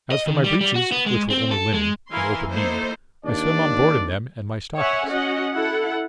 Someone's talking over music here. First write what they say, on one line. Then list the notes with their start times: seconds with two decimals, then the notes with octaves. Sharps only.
As for my breeches, which were only linen, and open-kneed, I swam on board in them and my stockings.
0.12 D#5
0.27 D#3
0.44 G3
0.61 G3
0.76 F#4
0.92 B3
1.06 G#3
1.30 C4
1.51 A4
1.74 G#3
2.12 E3 E4 A#4 F5 G#5 C6
2.49 A#3 D#4 E4 A4 C5
3.25 D#2 D4 D5
4.77 C#5 E5 F#5 G#5
5.09 C#4 F#4 D#5 F#5
5.53 E4 A4 F#5